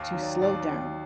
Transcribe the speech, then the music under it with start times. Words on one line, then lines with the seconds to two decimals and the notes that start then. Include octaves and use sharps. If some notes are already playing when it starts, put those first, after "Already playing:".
to slow down,
Already playing: D#2 F5
0.13 D#3 F#3
0.22 D5
0.42 D#2 D5